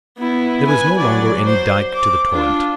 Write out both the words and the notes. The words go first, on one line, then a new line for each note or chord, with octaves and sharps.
There was no longer any dike to the torrent.
B3 E4
B4 G#5
F#3 D5
C5
D6
D4 F4